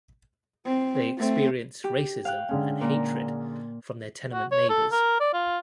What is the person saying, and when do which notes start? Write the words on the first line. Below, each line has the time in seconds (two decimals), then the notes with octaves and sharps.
They experience racism and hatred from their tenement neighbors.
0.66 C4
1.18 A3 C4
1.84 G4
2.25 F5 G5 F#6
2.49 D3 G#3 C#4
2.81 A#2 A#4
4.33 F#4
4.51 C#5
4.70 A4
4.92 A#4
5.20 D5
5.33 F4